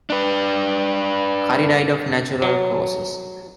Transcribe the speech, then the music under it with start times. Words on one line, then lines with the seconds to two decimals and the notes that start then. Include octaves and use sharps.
Curry died of natural causes.
0.10 D4 B4
2.42 F#3